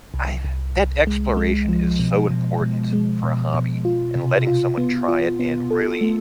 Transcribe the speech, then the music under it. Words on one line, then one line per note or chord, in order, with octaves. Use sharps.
I've that exploration is so important for a hobby and letting someone try it and really
C2
C2
C2
G#3
G#3
F3
B2
B2
B2
G#3
B2
B2
F4
C3
F4
B3
F4
B3
A4
A3